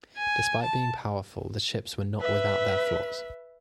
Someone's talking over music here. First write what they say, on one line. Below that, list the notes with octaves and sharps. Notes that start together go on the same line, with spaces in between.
Despite being powerful the ships were not without their flaws.
G#5
A5
B4 E5